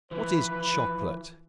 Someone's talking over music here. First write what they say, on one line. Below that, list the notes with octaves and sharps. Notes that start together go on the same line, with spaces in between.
What is Chocolate?
E3 F3 B4